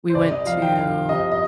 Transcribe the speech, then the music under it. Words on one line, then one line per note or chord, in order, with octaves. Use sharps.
we went to,
C5
C2 D5
D#5
F3 F5
G5
C2 F5
C3 D#5
D#5